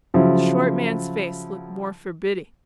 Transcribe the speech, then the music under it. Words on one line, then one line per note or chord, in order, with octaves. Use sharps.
The short man's face looked more forbidding.
C#3 F3 F#3 E4